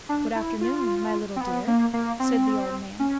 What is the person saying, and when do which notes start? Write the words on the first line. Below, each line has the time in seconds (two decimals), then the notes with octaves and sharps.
'Good afternoon, my little dear,' said the old man.
0.09 D4
0.35 E4
0.61 F4
1.36 C4
1.41 B3
1.67 A#3
1.94 A#3
2.20 C4
3.00 C#4